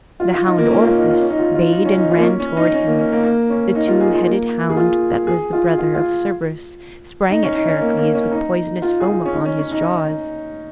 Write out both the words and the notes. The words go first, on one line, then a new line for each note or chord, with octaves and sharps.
The hound Orthus bayed and ran toward him; the two-headed hound that was the brother of Cerberus sprang at Heracles with poisonous foam upon his jaws.
F4
F4
D#4
A#3
C#4
F4
D#4
F4
C#4
D#4
F4
F4
D#4
C#4
D#4
F4
A#3
C#4
C#4
D#4
C#4
A#3
C#4
A#3
A#3
C#4
D#4
F4
G#4
F4
A#3
G#4
F4
G#4
F4
F4
F4
D#4
C#4
D#4
C#4
A#3
A#3
C#4
D#4
F4
G#4
F4
C#4
D#4
C#4
C#4
D#4